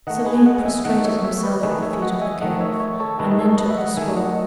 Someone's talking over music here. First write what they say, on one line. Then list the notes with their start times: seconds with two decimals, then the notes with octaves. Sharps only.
Selim prostrated himself at the feet of the Caliph, and then took the scroll.
0.07 D#3 A3 D#5 F#5
0.26 G#4 B4
0.38 G#5
0.46 D#5 F#5
0.65 E5 G#5
0.85 D#3 A3 D#5 F#5
1.04 C#5 E5
1.24 C#5 E5
1.43 B4 D#5
1.63 D#3 A3 G#4 B4
1.83 C#5 E5
1.93 G#5
2.02 D#5 F#5
2.21 E5 G#5
2.41 D#3 A3 D#5 F#5
2.61 C#5 E5
2.80 C#5 E5
3.00 A4 C#5
3.19 D#3 A3 G#4 B4
3.32 D#5
3.39 A4 C#5
3.58 B4 D#5
3.70 E5
3.78 D#5 F#5
3.97 D#3 A3 E5 G#5
4.16 D#5 F#5